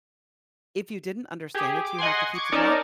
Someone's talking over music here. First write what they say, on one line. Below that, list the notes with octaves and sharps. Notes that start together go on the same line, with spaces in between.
if you didn't understand it, do you have to keep the job?
G4 G#4
D6
D#5 F#5 G#5 C6
C#6 D6 G#6
C#4 D#4 A#4 D5 A5